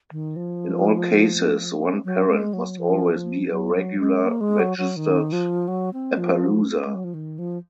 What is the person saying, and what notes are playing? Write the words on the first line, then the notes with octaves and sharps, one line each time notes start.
In all cases, one parent must always be a regular registered Appaloosa.
D#3
F3
F#3
G#3
F#3
F3
F3
F#3
F#3
G#3
A#3
G#3
F#3
F#3
D#3
F3
F#3
C4
F3
G#3
F#3
F3
D#3
F3